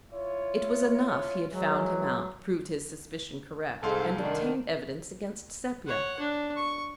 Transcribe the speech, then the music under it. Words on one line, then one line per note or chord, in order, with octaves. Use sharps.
It was enough he had found him out, proved his suspicion correct, and obtained evidence against Sepia.
E4 F4 C#5
E3 F#3 G#3
C2 G#2 A4 F5 C6
D3 D#3 D4
C#5 F#5
D4
C#6